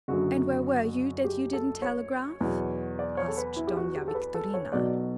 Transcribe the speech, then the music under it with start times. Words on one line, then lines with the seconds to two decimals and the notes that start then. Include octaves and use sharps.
"And where were you that you didn't telegraph?" asked Dona Victorina.
0.08 F#1 F#2 D3 F#3 F#4
1.25 G4
1.53 A4
1.82 C#5
2.41 E2 B2 F#3
2.99 D5
3.17 C#5
3.28 A4
3.37 B4
3.56 E4
3.67 G4
3.77 F#4
3.96 G4
4.08 A4
4.14 B4
4.34 A4
4.54 C#5
4.72 B1 B2 F#3 D5